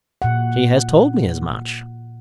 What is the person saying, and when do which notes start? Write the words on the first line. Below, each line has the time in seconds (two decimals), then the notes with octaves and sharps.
"She has told me as much."
0.22 A#2 F#5